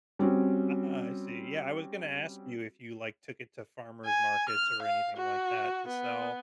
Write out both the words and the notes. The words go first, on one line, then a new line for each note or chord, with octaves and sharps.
Ah, I see, yeah, I was gonna ask you if you, like, took it to farmer's markets or anything like that to sell.
G3 C4 C#4 F#4
G#5
F6
F5
F#4
B3